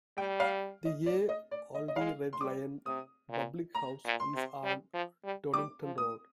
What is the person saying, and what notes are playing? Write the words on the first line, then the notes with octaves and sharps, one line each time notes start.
The Ye Olde Red Lion public house is on Donington Road.
G3 G5
F5
D#5
D5
D#5
D5
D#5
D#5
G#3 F5
C6
G3 D6
C3 D#6
A#2
A#5
A#2
C6
C3
G3
F3
G3
G3 D6
F3
D#6